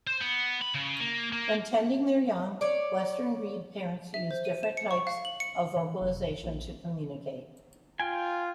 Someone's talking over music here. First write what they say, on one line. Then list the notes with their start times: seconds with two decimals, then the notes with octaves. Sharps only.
When tending their young, Western grebe parents use different types of vocalization to communicate.
0.07 C5
0.21 B3
0.62 B5
0.74 C#3
1.00 A#3
1.32 A#3
2.61 C#5 D5
4.14 E5
4.31 C5
4.45 D#7
4.63 E7
4.77 C#7
4.91 C#6
5.07 F5
5.25 F#7
5.40 C#7
5.77 E3
6.01 F1
6.43 A#1
8.00 F4 G5 G#5